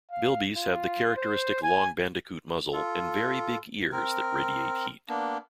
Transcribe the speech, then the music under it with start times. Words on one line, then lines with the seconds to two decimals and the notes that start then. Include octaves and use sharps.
Bilbies have the characteristic long bandicoot muzzle and very big ears that radiate heat.
0.11 F5
0.57 F4
1.17 C5
1.63 G#5
2.73 F4 A4
3.92 C4 A#4
5.09 A#3 B3 D4